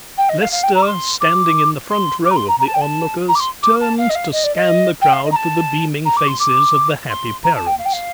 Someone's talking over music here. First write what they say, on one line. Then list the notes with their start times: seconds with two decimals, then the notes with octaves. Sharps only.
Lester, standing in the front row of the onlookers, turned to scan the crowd for the beaming faces of the happy parents.
0.17 G5
0.29 D#5
0.40 F5
0.52 F5
0.63 G5
0.74 A#5
0.82 D6
0.86 C6
1.20 D6
1.90 C6
2.25 D6
2.30 A#5
2.36 C6
2.48 A#5
2.59 A#5
2.66 A5
2.74 G5
2.81 A5
3.28 A#5
3.35 D6
3.39 C6
3.62 D6
3.80 A5
3.98 F5
4.09 D#5
4.15 F5
4.32 D#5
4.43 D5
4.55 D#5
5.01 G5
5.12 F5
5.24 D#5
5.31 A#5
5.35 A5
6.05 A#5
6.16 D6
6.27 C6
6.39 D6
7.09 C6
7.44 A#5
7.55 A5
7.66 G5
7.78 F5
7.85 G5
7.92 F5